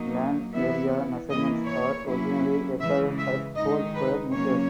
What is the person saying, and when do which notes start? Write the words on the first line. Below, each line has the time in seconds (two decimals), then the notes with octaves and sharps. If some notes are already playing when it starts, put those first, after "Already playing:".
Land area measurements are originally recorded as whole square meters.
Already playing: F#3 A#3 D#4
0.53 E3 B3 E4 E5
1.29 E3 A#3 E4 D#5
1.66 C#5
2.05 F#3 A#3 C#4 E4
2.80 C#3 E3 G#3 E5
3.18 E5
3.56 D#3 G#3 D#4 D#5
3.94 B4
4.31 C#3 F#3 A#3 C#4 C#5